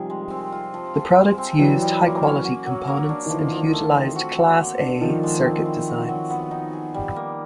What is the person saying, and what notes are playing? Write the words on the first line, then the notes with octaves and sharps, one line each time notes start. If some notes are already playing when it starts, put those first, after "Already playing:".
The products used high-quality components and utilized Class-A circuit designs.
Already playing: C3 D#3 F3 G3 G#4
G#3
C4
F4
F3
F3
G#3
C4
E3 F#3 G3
G3
A#3
C#4
F#4
F#3
A#3
D4
D#3
E3 F3
F3
A3
C4
F#4
F#3
A#3
D4
D#3 F3 A4
G#3
C4
E4
F#4
F#3
B3
D#4
G#4
G3
A#3